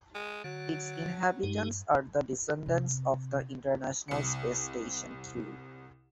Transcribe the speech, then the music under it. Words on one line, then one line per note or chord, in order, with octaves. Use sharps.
Its inhabitants are the descendants of the International Space Station crew.
G#3
D3 F#3 F#4
G2 G#3 D#4 G4
C3
C2 C#7